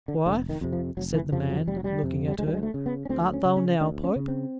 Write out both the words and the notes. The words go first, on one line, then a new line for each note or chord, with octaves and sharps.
"Wife," said the man, looking at her, "art thou now pope?"
D3
F1 D3
D#3
F2 C3
F3
F1 F#3
E3
F2 C3 F3
F#3
F1 G3
F#3
G3
F2 C3
G3
D2 G#3
G3
G#3
A3
C#3
B3
C#4
D2 C4
C#4
C#3
C#4
D2 D4
C#4
C#3
C4